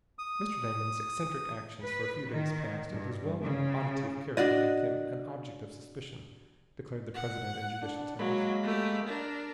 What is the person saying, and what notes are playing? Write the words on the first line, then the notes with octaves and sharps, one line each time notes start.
"Mr. Damon's eccentric actions for a few days past, and his well-known oddity of character make him an object of suspicion," declared the president in judicial tones.
D#6
B4
D#3
G2
C#3
D4 F#4 D5 D#5
F#5
D4
F#3 G#3 A#3 B5
A3 G4
D4 A#4